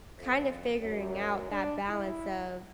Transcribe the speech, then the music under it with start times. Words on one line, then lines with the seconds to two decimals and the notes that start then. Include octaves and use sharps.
kind of figuring out that balance of,
0.17 F2
0.78 F#2
1.49 D4
1.89 E4